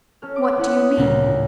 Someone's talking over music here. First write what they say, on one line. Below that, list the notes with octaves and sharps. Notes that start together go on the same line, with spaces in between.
"What do you mean?"
C#4 A4 F6
D6
C#4 E4 F#5
D#6 B6
D2 A#2 C#3 A#6 B6
A2